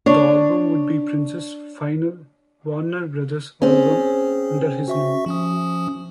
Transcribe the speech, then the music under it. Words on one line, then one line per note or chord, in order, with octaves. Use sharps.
The album would be Prince's final Warner Brothers album under his name.
D4 C#5
C4 C#4 G#4
F#4 E5 C#6
F3 C#4 D#6